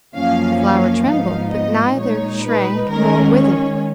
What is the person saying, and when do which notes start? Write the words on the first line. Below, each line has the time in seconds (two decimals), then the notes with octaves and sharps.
The flower trembled, but neither shrank nor withered.
0.15 F#2 F3 A#3 C#4 F5
0.61 F5
1.07 G#2 F3 B3 D#4 F5
1.52 D#5
1.98 A#2 G#3 D#4 C#5
2.45 B4
2.90 D#3 G#3 C#4 A#4
3.37 C#5